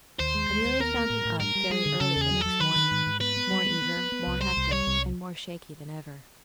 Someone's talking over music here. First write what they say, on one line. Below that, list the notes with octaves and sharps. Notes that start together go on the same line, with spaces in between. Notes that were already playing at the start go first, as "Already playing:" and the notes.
Amelia found him up very early the next morning, more eager, more hectic, and more shaky than ever.
D#2 C5
G#3
D#2
D#2
B3 A#4
B3
A2
A2
G2 A#4
G3
G3 G#4
D3
C#3 A4
E2
G#4
F#3
F#3 A4
D#3 B4
D#3
G#2
G#2
B3 B4
B3
G3
B3
B3
B3
B3
C2
G3 C5
C2
G3 C#5
C2